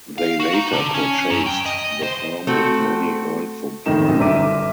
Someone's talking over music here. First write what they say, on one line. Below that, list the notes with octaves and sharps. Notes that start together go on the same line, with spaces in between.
They later purchased the farm with money earned from farming.
F5
F#4
D#4
D3
C#4
F#2
G5
D#5
C5
A3 C4 F#4
F2 A2 D#3 D#4 E7
B1 F#2
G1 E5 A#5 D6 D#7